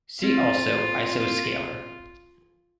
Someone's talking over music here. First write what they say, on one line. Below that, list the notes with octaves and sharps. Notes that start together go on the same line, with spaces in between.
See also Isoscalar.
C4 F4